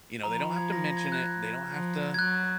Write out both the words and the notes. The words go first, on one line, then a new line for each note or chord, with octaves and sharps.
you know, they don't have to mention it, they don't have to
F3 A#5
B5
G#6
A#6
A#6
G#6
F#6
G#6
F3
G#6
F#3 F#6